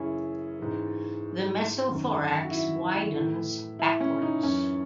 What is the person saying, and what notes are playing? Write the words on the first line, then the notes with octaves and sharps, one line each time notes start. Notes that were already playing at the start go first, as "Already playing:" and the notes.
The mesothorax widens backwards.
Already playing: F#2 C#3 E3 C#4 E4 G#4
G#2 E3
F#2 D#3 F#3
F#4
E4
A2 E3
E4
C#4
D#4
F#2 E3 C#4